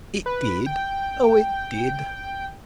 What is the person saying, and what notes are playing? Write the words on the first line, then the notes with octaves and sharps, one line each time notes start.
It did, oh it did.
B4
G5